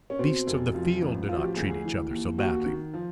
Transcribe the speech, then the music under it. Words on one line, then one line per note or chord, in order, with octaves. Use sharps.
The beasts of the field do not treat each other so badly.
C#4
B2 C4
F1
F3
A1
F3 F4
F#4
G4
D2 G#4
G#4
E3
D#2
D#2 F#4
D#3
F3